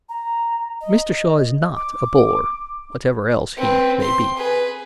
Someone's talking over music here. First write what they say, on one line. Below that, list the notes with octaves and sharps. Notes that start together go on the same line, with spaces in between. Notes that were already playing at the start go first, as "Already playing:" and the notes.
Mr. Shaw is not a bore, whatever else he may be.
A#5
D#5
D6
C4 B4
C6
G#4 B4